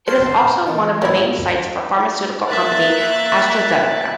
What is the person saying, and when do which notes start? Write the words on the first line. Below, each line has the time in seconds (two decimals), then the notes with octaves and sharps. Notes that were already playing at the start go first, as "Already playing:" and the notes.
It is also one of the main sites for pharmaceutical company AstraZeneca.
0.07 F#4 C5 F5 G#5 A5 C6
0.43 A#2
0.66 D#3 E3 A4
1.02 G#2 A#3 B3 E4 G4 A#4 C#5
2.48 A#3 E5 F#6 A6